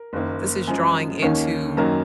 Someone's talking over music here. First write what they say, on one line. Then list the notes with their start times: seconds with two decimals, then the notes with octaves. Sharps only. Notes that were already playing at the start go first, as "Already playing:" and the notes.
this is drawing into
Already playing: A#4
0.13 F#1 F#2 D#3 A#3
0.68 F#2 F3 G#3 G#5
1.22 D#2 D#3 A#3 C#4
1.77 F#2 D#3 F#3 A#3 A#5